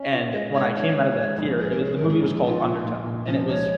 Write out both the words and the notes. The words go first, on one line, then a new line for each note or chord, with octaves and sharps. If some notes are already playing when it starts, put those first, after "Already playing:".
and when I came out of that theater, it was the movie was called Undertow, and it was,
Already playing: C#4
F4
G#3 D#5
G#2 C#5
D#3 C#5
G#3
G#2
A#1
G#3 G#4
A#4
C#4 G#4
A#4
G#2
G#4
A#1
D#4 F4
A#2
A#3
A#2
F3 C#4
C#2 C#5